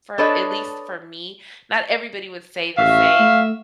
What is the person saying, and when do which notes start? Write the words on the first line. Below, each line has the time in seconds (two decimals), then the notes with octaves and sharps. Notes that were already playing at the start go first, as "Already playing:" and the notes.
for at least for me. Not everybody would say the same
0.18 D4 A4 B4 C#5 D#5
2.77 A1 F#4 E5 F5
3.20 A3